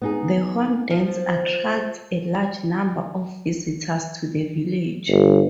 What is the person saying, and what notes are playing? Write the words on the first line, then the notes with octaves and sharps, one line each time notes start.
The Horn Dance attracts a large number of visitors to the village.
B3 D#4 G#4
F3
G1